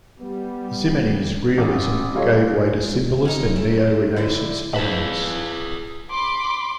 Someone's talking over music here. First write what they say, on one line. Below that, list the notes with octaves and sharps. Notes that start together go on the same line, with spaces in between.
Ximenes' realism gave way to Symbolist and Neo-Renaissance elements.
G3 B3
A1
G3 F4 A4 C#5 D#5
G#3
C#4 D#4
A3
D3 E4 D5
F2 G#4 B4 A5
B5 C6 D6